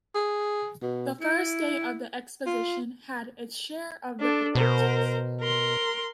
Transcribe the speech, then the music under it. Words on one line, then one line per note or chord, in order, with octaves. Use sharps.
The first day of the Exposition had its share of difficulties.
G#4
B2
E4
F4
D4 A4
B2 A#4 C5
A#4 C6